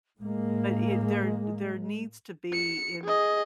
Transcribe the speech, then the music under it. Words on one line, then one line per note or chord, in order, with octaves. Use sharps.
But i there there needs to be in the
A2 G#3 A#3
C#7
G#4 D#5